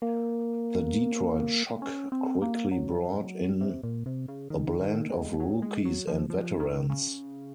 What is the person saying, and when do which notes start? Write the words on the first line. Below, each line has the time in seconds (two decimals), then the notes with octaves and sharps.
The Detroit Shock quickly brought in a blend of rookies and veterans.
0.02 A#3
1.82 C#4
2.12 C4
2.42 A#3
2.71 F#3
3.61 C3
3.83 A#2
4.06 C3
4.28 C#3
4.50 D#3
4.80 D#3
5.10 G#3
5.40 F#3
5.62 G#3
5.85 F#3
6.07 F3
6.30 F3
6.60 D#3
6.89 C#3